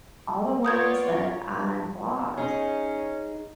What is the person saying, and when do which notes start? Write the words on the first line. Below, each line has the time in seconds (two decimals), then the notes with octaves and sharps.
all the ones that I blocked
0.65 B3 F4 C#5 D5 D#6 G6 G#6
2.38 C#4 D#4 G#4